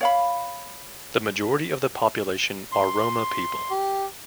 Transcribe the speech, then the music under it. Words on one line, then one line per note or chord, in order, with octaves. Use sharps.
The majority of the population are Roma people.
C#5 F5 B5
C6
G4